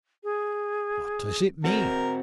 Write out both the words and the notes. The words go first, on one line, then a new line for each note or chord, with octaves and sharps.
What does it mean?
G#4
C4 F#4 A#4